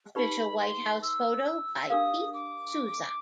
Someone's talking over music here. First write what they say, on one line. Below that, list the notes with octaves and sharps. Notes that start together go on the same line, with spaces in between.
Official White House photo by Pete Souza.
D#4 G4 B4 D5 B5
C6
E6
E6
D4 G4 A#4 D5 F5 D#6
D6